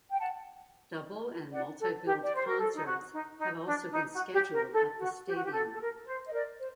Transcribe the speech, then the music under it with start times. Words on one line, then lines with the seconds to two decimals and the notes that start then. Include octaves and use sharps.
Double and multi-billed concerts have also been scheduled at the stadium.
0.11 G5
0.19 F#5 A5
1.52 D5 F#5
1.79 A4
2.05 G4
2.23 D5
2.35 C5
2.47 A#4
2.59 A4
2.74 D#4
2.85 F#4
3.12 D#4
3.39 D#4
3.65 D4
3.92 D#4
4.13 F#4
4.32 G4
4.52 A#4
4.73 A4
4.99 F#4
5.26 G4
5.34 F#4
5.44 G4
5.52 A4
5.75 A4
5.80 A#4
6.06 C5
6.26 D#5
6.32 A#4 D5
6.59 C5